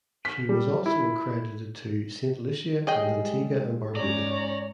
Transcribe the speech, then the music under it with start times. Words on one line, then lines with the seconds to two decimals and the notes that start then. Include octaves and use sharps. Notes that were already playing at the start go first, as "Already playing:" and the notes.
She was also accredited to Saint Lucia and Antigua and Barbuda.
0.25 B6
0.49 G3
0.86 E4
2.87 G3 G#3 G#4 D#5 G5
3.96 G#2 G#3 C#4 C#5 D5 A#5